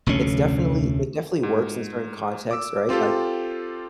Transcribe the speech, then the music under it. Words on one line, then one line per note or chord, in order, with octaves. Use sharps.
it's definitely it definitely works in certain contexts, right? Like,
F1 D2 A2 C#4
G#2
D6 E6
C4 F4 G4 A4